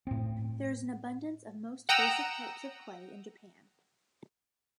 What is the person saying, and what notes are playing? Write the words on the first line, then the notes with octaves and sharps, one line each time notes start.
There is an abundance of most basic types of clay in Japan.
A2 C4
F#5 G5 A#5 D#6 E6